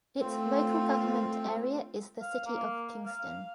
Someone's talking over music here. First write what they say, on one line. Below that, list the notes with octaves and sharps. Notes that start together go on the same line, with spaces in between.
Its local government area is the City of Kingston.
A3 C4 F4
F5
A#3
F5